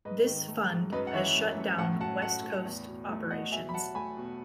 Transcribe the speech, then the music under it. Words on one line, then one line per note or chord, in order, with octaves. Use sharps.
This fund has shut down West Coast operations.
G#2 B4 D#5
D#3
A3
G#2
F#2 B4 D#5
F#5
E3 C#5 E5
A3
F#2
A2 F#5 A5
F#3 F#5 A5
A3 F#5 A5
A2
E2
B2
A3
E2 D#5 F#5
B2 E5 G#5
B5
F#3 F#5 A5
A3 G#5 B5
B2